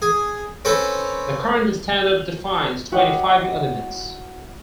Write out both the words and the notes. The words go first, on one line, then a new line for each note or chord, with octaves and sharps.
The current standard defines twenty-five elements.
G#4
C4 C#4 A4 B4
E4 F#4 G4 C#5 D#5 F#5